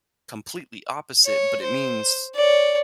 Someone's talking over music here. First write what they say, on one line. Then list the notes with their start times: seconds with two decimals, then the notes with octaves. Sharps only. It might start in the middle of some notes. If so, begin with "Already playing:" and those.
completely opposite, but it means
1.25 C#5
1.62 C5
2.35 C#5 D5